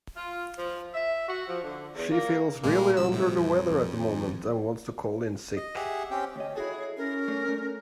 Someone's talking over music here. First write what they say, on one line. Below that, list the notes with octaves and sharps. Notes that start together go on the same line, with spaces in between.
She feels really under the weather at the moment and wants to call in sick.
F4
F3
E5
F#4
F3
D3
E2
A#3
A#2 G3 G#3 A#3
C#2 E6
A2 C3
F2
D#3 F3
D#5
G4 G#4 E5 F#5
C4 C#4 G4 G5
D2 C#5 D#5
E4 F#4 G#4 A4
C#4 A#4
A3 D4
A3